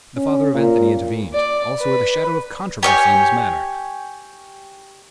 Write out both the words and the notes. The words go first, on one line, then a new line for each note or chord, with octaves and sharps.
The father of Anthony intervened, also with a shadow of controversy in his manner.
C#4
A#2
D5
B4
G4 C#5 G#5